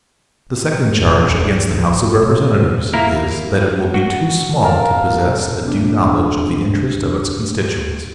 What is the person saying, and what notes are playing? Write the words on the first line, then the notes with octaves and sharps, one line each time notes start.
THE SECOND charge against the House of Representatives is, that it will be too small to possess a due knowledge of the interests of its constituents.
E1
D2
A2 F3
E4
A#2
A#3 E4 A#4
F#4
A#4 F5 A5
D1 C3 B3 D4